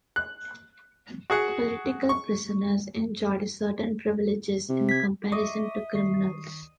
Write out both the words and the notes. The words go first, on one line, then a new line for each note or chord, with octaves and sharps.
Political prisoners enjoyed certain privileges in comparison to criminals.
F#6
F#4 G#4 F#5
C#6
C3
G#6 B6
D#5 E5 C#6 D6 A#6
D#3 C#6 C7